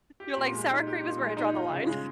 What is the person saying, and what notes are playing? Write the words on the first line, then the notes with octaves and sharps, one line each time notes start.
You're, like, "Sour cream is where I draw the line."
G4
A#2
G#3
D#4
G4
A#2
G#3
D#4
F4
C#3
G#3